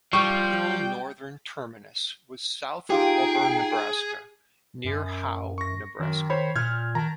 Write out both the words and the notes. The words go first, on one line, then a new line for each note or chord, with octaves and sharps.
The original northern terminus was south of Auburn, Nebraska, near Howe, Nebraska.
F3 G3 G5 C#6
D#4 F4 G4 G#4 G5
F#2
C#6 A#6
F#2 D#3
C5 C#5 B5
A#2 F6 G6 G#6
D#3 A5 A#5